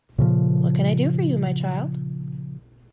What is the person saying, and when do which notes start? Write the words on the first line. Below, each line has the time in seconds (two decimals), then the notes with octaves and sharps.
What can I do for you, my child?
0.18 A#2 C#3 F3